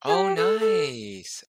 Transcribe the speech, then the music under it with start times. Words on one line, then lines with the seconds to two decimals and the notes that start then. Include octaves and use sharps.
Oh, nice.
0.07 G#4
0.14 G4
0.36 A4
0.60 A4